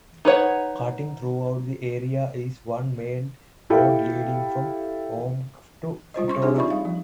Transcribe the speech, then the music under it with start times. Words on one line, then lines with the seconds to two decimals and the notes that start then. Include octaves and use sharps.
Cutting through the area is one main road leading from Omagh to Fintona.
0.25 D#4 B4 C#5 F#5
3.70 E4 G4 A4 F5 G5
6.14 G3 F4 C5 D#5
6.28 C#4 C6 C#6
6.42 C4 D4 D#4 G4 G#4 C#5
6.56 D#4 F4 D5 E5 B5 C#6
6.70 G3 F5
6.85 F3